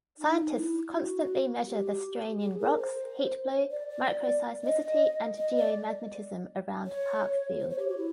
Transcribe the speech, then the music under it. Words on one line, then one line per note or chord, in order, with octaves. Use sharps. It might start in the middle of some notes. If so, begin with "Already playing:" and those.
Scientists constantly measure the strain in rocks, heat flow, microseismicity, and geomagnetism around Parkfield.
D#4
E4
F#4
G4
G#4
A#4
C5
D5
D5
D#5
D#5
D5
C#5
C5
C#5
G4
F#4
E4